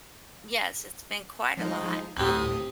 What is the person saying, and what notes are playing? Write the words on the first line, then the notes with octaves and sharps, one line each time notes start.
Yes, it's been quite a lot, um,
F3 G#3 D#4
D2 A2 C4 G4 D#6